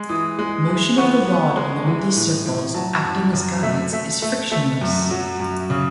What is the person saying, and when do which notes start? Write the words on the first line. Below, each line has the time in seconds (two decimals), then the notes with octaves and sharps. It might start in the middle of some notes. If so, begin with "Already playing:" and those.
Motion of the rod along these circles, acting as guides, is frictionless.
Already playing: G#3
0.09 E3 D#6
0.39 G#3
0.68 E3
0.97 B3 C#6
1.27 B3
1.56 G#3
1.87 E3
2.16 A2
2.45 A2
2.74 F#3 A5
3.04 F#2 A5
3.33 F#2
3.63 A3 E5
3.93 A3 E5
4.22 A3 E5
4.52 A3 E5
4.81 F#2
5.11 F#3
5.40 F#2
5.70 C#3